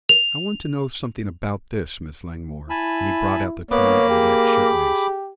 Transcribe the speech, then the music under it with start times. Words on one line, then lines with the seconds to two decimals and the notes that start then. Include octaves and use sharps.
"I want to know something about this, Miss Langmore," and he brought out the torn and wet shirtwaist.
0.09 F7
2.70 E4 G#5 A5 B5
3.71 A#3 B3 C#5 B5 D6
4.10 G4 G#4